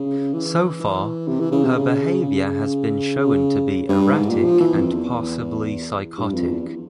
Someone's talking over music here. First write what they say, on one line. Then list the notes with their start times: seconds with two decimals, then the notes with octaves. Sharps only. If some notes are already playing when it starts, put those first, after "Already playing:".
So far, her behavior has been shown to be erratic and possibly psychotic.
Already playing: C#3
0.34 E3
0.81 E3
1.28 C3
1.40 E3
1.52 C#3
1.64 C3
1.75 C#3
2.23 C#3
3.18 C#3
3.89 G2
4.13 G#2
4.29 A#2
4.44 F3
4.60 E3
4.76 F2
4.92 E2
6.18 G2
6.34 F2
6.50 E2